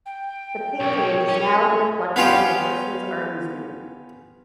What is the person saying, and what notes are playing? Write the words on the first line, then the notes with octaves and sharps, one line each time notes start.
The painting is now in the collection of the Horsens Art Museum.
G5
B1 G4 A#4 C#5
C#4
B3 C#4 F4 G4